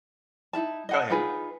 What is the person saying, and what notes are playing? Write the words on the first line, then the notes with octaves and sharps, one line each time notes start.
Go head.
D#4 E4 E5 A5
D#5 F#5 A5
D#4 F4 G#4 B4